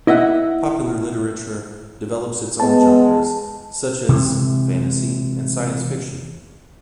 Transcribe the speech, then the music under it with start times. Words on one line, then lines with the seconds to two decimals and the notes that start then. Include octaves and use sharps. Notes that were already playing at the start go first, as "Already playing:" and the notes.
Popular literature develops its own genres such as fantasy and science fiction.
0.07 E4 D#5 E5 F#5
2.60 G#3 B3 A5
4.09 C3 E3 G#3